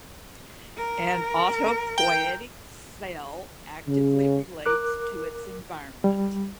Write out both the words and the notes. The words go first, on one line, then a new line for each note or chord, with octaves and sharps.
An autopoietic cell actively relates to its environment.
A#4
G5
C#3
A#4 D6 F#6
G3